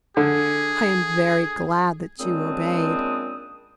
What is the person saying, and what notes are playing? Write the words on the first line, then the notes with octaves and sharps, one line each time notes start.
I am very glad that you obeyed.
D3 G#4
A#2 C#3 G#3 C4 D4 D#6